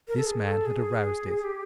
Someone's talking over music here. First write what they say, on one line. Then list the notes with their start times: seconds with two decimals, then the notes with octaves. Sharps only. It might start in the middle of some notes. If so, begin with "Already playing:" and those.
This man had aroused it.
0.08 A#4
0.17 A4
0.26 G#4
0.45 A4
0.66 G#4
1.43 G4